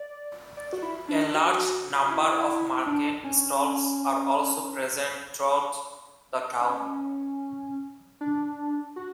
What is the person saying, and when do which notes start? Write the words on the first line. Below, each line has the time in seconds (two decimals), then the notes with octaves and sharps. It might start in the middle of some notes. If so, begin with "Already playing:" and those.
A large number of market stalls are also present throughout the town.
Already playing: D5
0.57 D5
0.73 F#4
0.82 E4
1.09 D4
1.34 F#4
2.10 E4
2.86 D4
3.24 C#4
6.61 D4
6.67 C#4
8.21 D4
8.96 F#4